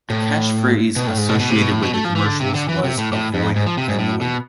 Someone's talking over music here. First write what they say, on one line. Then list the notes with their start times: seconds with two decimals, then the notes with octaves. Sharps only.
The catchphrase associated with the commercials was Avoid the Noid.
0.10 A2
0.96 B2
1.07 A2
1.18 G#2
1.29 B2
1.39 B2
1.50 C3
1.61 B2
1.72 A2
1.82 B2
1.94 A3
2.05 F3
2.16 E3
2.26 D3
2.40 C3
2.55 D3
2.69 E3
2.84 C3
2.98 A2
3.12 A2
3.34 F2
3.56 G#2
3.66 F3
3.77 C3
3.88 G#2
3.99 A2
4.21 B2